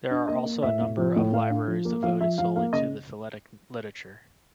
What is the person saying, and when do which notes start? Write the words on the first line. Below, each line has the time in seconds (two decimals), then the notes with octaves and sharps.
There are also a number of libraries devoted solely to philatelic literature.
0.11 D4
0.28 A#3 D#5
0.46 A#3
0.63 A2 E5
0.81 A2
0.98 F3
1.16 A2
1.33 A2 F5
1.50 D4
1.68 F3
1.85 A#3
2.03 F3 F5
2.21 F3 E5
2.38 F3 F5
2.56 A#3 F5
2.73 C#3 D#5